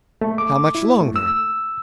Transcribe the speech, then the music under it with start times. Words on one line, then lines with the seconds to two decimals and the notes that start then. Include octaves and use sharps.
How much longer?
0.21 A3
0.38 D6
0.75 E4
1.01 A3
1.16 E6